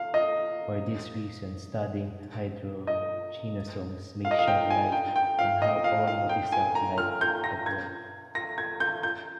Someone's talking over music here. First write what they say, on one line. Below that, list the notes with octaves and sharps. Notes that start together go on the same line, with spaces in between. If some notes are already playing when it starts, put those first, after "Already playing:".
For this reason, studying hydrogenosomes may shed light on how all multi-celled life evolved.
Already playing: F5
D#5
D#5
F5
D#5
F5
G5
G#5
G5
G5
F5
D#5
F5
F5
G5
G#5
A#5
F6
G6
A#6
G#6
A#6
G#6
G6
G6